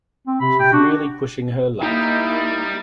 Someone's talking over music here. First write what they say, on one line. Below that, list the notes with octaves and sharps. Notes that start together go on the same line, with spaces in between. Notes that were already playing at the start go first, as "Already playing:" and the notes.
She's really pushing her luck!
C4
C3 B5
G5
D4 F#4
G3 A#3 D#4 E4